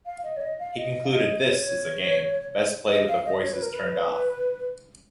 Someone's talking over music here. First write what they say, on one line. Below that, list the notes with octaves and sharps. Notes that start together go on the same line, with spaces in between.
He concluded This is a game best played with the voices turned off.
F5
D#5
C#5
D#5
F5
D#5
F5
D#5
C#5
D#5
F5
D#5
C#5
B4
A#4
B4